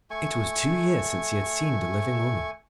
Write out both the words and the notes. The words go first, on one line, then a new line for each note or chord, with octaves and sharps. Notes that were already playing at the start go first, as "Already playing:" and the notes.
It was two years since he had seen the living woman.
A3 G#5 C#6